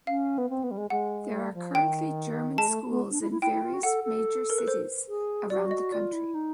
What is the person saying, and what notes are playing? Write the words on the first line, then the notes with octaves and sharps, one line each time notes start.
There are currently German schools in various major cities around the country.
C#4 F5
B3
C4
B3
G3
G#3
G#3 F#5
G3
F3
D#3 G5
G#3 A5
A3
B3
D4
E4
E4
E4 G5
E4
F4
F#4
A4 F#5
A4
A#4
B4
C5
G#4
F#4 D5
G4
F#4
D#5
F4 D5
E4
D#4